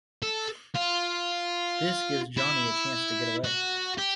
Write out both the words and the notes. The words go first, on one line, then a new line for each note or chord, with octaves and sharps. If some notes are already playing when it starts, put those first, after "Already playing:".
This gives Johnny a chance to get away.
A4
F4
E4
F#4
G4